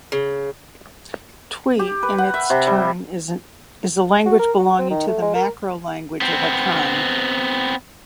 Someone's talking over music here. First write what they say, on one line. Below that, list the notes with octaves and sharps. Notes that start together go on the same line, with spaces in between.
Twi in its turn is a language belonging to the macrolanguage of Akan.
C#3
G4
B4
F#5
E5
C3
G3
F#4
A#4
F#4
C4
D#3
A3
G#3
A#4
B3 C4